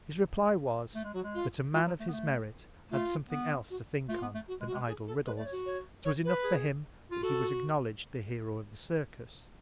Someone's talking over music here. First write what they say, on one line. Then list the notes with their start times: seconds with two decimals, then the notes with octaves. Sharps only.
His reply was, that a Man of his Merit had something else to think on, than idle Riddles; 'twas enough for him, that he was acknowledg'd the Hero of the Circus.
0.95 A3
1.04 G#3
1.14 F#3 F#4
1.24 G#3
1.34 F4
1.73 G#3 F4
1.87 F#3
2.00 A3
2.08 B3
2.12 A3
2.91 A3 F4
3.30 B3
3.70 F#4
4.09 A3 F4
4.22 B3
4.35 A3
4.48 F#4
4.61 G#3
4.67 F#4
4.74 G#3
4.87 G#4
5.07 A4
5.26 G#3 B4
5.36 A3 D5
5.46 C#5
5.53 F#4
5.66 C#5
6.05 C#5
6.25 B4
6.44 G#4
7.11 F4
7.22 F#4 A4